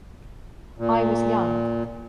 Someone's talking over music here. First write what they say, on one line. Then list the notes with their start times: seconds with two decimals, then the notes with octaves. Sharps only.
I was young.
0.78 A#2